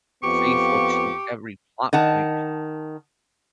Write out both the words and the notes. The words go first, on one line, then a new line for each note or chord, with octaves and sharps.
faithful to every plot point,
F2 B3 F4 G4 C#6
D#3 F#5 A5